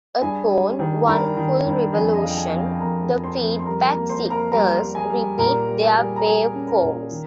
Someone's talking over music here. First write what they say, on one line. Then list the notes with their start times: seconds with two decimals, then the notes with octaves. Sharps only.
Upon one full revolution, the feedback signals repeat their waveforms.
0.21 G2 G#4 G#5
0.50 G3
0.79 D#3
1.07 G2 A#4 A#5
1.37 D#3
1.66 G2
1.94 F2 G#4 G#5
2.14 D#5
2.22 F2 F5
2.30 G5
2.36 G#4 G#5
2.51 F2
2.57 F5
2.65 G5
2.72 G#5
2.79 F2 A#4 A#5
3.09 F2
3.23 C5 C6
3.38 F2
3.59 C6
3.66 G3 A#4 A#5
3.87 A#4 A#5
3.95 A#3
4.09 C5 C6
4.24 A#3
4.30 A#4 A#5
4.52 G3 A#4 A#5
4.81 G3
4.95 G#4 G#5
5.10 G3
5.38 A#2 A#4 A#5
5.67 G3
5.81 G#4 G#5
5.97 G3
6.16 A#5
6.25 G3 G#4 G#5
6.54 C#4
6.67 A#4 A#5
6.82 A#2
7.10 D#3